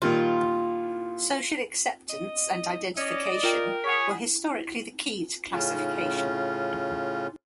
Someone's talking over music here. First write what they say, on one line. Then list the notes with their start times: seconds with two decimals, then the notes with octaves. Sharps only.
Social acceptance and identification were historically the key to classification.
0.02 A#2 D#3 G3 F4
2.10 D#5
2.97 C#4 D5 D#5
3.43 F4 A#4 G5
3.84 G#4 C#5 F#5 B6
5.52 A2 C#3 C#4 F4